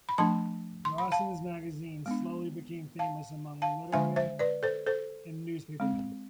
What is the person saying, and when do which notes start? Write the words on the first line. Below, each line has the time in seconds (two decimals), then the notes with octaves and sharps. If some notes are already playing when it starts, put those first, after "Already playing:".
Ross and his magazine slowly became famous among literati and newspapermen.
0.09 B5
0.18 F3 A3 D4 A5 C6
0.85 C6
0.98 B5
1.12 F5 A5
2.06 G#3 B3 D4
2.99 F5 A5
3.62 F5 A5
3.92 D3 G#3 D4 E5 G#5
4.16 C5 E5
4.39 B4 D5
4.63 A4 C5
4.87 A4 C5
5.80 G#3 C4